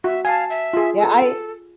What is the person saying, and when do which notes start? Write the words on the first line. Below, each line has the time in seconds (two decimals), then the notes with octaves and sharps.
Yeah, I
0.04 F#4 E5
0.25 F5 G#5 A5
0.50 E5
0.73 F4 G#4
0.98 A4